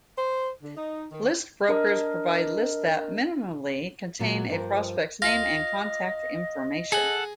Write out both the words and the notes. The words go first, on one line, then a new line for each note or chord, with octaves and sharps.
List brokers provide lists that, minimally, contain a prospect's name and contact information.
C5
D3
D#4
D#3
D4 A#4 D#5
A#2 F#3
G2 F3 A#4 C5
F4 D#5 A#6
G#4 A4 F#5